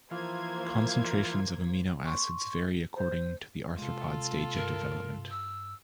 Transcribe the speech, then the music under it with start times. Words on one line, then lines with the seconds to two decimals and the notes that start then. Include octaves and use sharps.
Concentrations of amino acids vary according to the arthropod stage of development.
0.11 E3 F3 A#3 F4 C5 G#6
2.06 C6 C#6
2.96 C5
3.78 C3 G#3 F4 A4
4.55 G2 A#4
5.30 E6